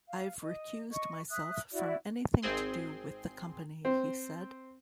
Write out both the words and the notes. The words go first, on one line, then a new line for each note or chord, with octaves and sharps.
"I've recused myself from anything to do with the company," he said.
F5
D#5
D#5 C#6
E5 D#6 F#6
E4 F#4 D5 E5
G#1 C4 G#4 C6
C4